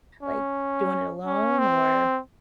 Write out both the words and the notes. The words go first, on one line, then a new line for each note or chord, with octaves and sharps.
like, doing it alone? Or
C#4
C#4
C4